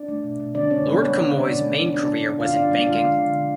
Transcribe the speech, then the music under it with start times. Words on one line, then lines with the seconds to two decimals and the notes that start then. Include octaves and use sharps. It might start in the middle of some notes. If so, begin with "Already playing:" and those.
Lord Camoys' main career was in banking.
Already playing: D4 D5
0.09 A3
0.24 B2
0.40 B2
0.54 D3 D4 D5
0.70 D3 C#4 C#5
0.85 G#3 B3 B4
1.01 G#3 C#4 C#5
1.16 D3
1.33 D3
1.48 B2 D4 D5
1.63 B2
1.79 G#3
1.94 G#3 D4 D5
2.10 B2
2.25 B2
2.40 D3 F4 F5
2.56 D3 D4 D5
2.71 G#3 D4 D5
2.86 G#3 F4 F5
3.02 D3
3.18 D3
3.33 D3